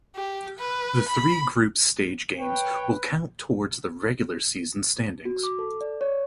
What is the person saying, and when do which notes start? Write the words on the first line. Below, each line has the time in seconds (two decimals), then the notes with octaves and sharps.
The three group stage games will count towards the regular season standings.
0.16 G4
0.59 B4
1.08 B5
2.39 B4 C#5 G5
5.25 F#4
5.43 D6
5.59 A4
5.81 D5
6.01 C#5